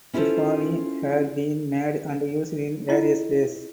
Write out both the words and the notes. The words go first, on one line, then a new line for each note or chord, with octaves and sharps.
Tiffany had been made and used in various ways.
C#4 E4 F4 G#4 A4 C5
E4 F4 D#5